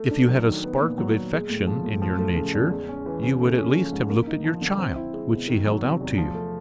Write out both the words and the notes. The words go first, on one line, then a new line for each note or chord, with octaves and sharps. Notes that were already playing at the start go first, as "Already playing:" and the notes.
If you had a spark of affection in your nature, you would at least have looked at your child, which she held out to you.
Already playing: A3
D4
F#3
D#3
B3
A#2
F#3
A#2
G#3
A2
F3
A2
F3
A3
C#3
E2
G#3
C#4
E3
C#3
A3
C#4
F3
G#2
A#3
D#4
F3
D3
C4
E4
G#3
B2
D#3
F#3
C3
E2
F3
A3